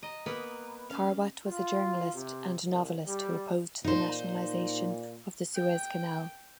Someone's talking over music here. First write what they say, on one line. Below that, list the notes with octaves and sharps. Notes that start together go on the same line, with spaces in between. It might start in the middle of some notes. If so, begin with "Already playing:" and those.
Tharwat was a journalist and novelist who opposed the nationalization of the Suez Canal.
D#5 A#5
A#3 B3 B4
C#4 F5
F4
C3
C2
G3
A#2 D#4 C5
G5